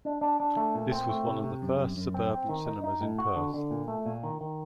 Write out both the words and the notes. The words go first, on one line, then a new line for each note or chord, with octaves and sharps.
This was one of the first suburban cinemas in Perth.
D4
D4
D4
A3
A#2
C4
A3
C3
C3
F#2
F#2
F#2
C4
C4
D#3
D#4
D#4
A2
F#4
D3
D3
A#2
A3
A#2
D#3
D#3